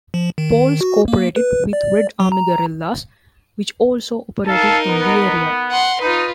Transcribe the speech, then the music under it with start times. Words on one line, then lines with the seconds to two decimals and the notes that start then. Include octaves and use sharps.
Poles cooperated with Red Army guerillas, which also operated in the area.
0.14 F3
0.38 D#3
0.81 F#4
1.08 A#3
1.36 B4
1.73 D5
2.20 F#3
2.32 A#5
4.47 D#4 A4 A#4 F5 A5
4.87 B3
5.71 F#5 C6
6.02 D#4 F4 B4